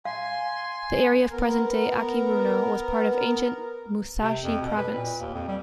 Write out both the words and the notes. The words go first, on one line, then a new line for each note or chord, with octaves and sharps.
The area of present-day Akiruno was part of ancient Musashi Province.
F5 G#5 C6
B3 A#4
C3
F2
B2
B4
A#2
D#2
F2
G3